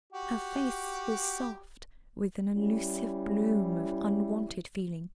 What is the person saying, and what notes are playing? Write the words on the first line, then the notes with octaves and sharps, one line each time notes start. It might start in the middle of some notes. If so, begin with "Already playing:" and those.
Her face was soft with an elusive bloom of unwonted feeling.
F#4 G4
G3 C#4 E4